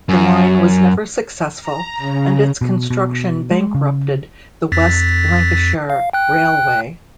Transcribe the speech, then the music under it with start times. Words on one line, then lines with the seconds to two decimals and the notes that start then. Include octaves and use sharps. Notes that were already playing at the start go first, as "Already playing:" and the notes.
The line was never successful and its construction bankrupted the West Lancashire Railway.
0.09 F#2
1.62 A#5
1.98 C#3
2.61 B2
2.90 B2
3.51 G#3
3.75 C#3
4.72 F2 A6 B6
5.90 F5
6.13 G5 F#6